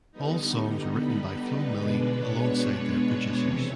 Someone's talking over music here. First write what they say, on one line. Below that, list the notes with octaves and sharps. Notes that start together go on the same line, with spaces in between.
All songs were written by Flo Milli alongside their producers.
D3 G3 B3 D#4
B4
B4
B2 G#3 B3 D4 B4
C#5
C#5
C#5
F2 C3 E3 C#5